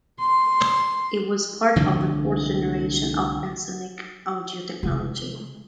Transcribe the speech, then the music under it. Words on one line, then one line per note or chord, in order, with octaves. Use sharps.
It was part of the fourth generation of Ensoniq audio technology.
C6
C2 D3 F3 A3
C3 G#3